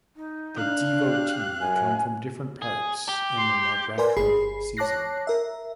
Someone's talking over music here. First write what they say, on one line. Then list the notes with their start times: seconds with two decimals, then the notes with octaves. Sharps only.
The devotee come from different parts in the navratri season.
0.16 D#4
0.56 D4 F5 F#6
1.00 G4
1.60 F#2 G#5
2.62 G#4
3.09 G4
3.38 C6
3.98 A#4 B4 D5 G#5 C6
4.17 G1 G#4 B5 C7
4.77 C#5 A5 D6 F#6 A#6 C7
5.27 A#4 E5